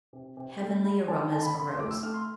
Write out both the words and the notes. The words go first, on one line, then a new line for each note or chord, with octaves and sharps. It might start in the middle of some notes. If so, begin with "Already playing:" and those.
Heavenly aromas arose.
C3
C3
A3
G#3 B5
D3 A5
D3 A5
B5
D3 B5
C6
A3 D6
E6
A3 F6
C6